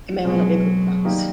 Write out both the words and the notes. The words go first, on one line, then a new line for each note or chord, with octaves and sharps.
It may or may not be equipped with flaps.
B2 F#3 G#3 C4
D#3 G3 A#3 D#4 G4